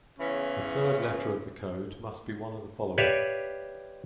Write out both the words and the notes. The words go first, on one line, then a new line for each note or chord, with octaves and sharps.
The third letter of the code must be one of the following.
E2 C#3 E3 C#4
G4 B4 C#5 D5 E5 F5